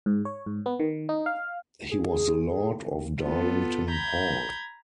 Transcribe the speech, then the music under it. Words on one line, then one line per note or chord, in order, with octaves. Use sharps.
He was the lord of Darlington Hall.
G#2
C#5
G#2
B3
D#3
D#4
F5
G#4
B3 F4 A4
A#5 B5 G6 G#6